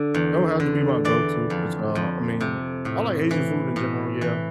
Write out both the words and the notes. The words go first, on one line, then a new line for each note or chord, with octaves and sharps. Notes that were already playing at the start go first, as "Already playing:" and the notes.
It would have to be my go-to, which, uh I mean, I like Asian food in general, yeah,
Already playing: D3
E2
D3
E3 D5
F2
F2
C3
A2
E3
A2
E3